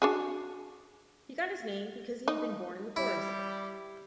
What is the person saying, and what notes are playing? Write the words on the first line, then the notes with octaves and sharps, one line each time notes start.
He got his name because he had been born in the forest.
D4 F#4 G#4
D#4
G3 E4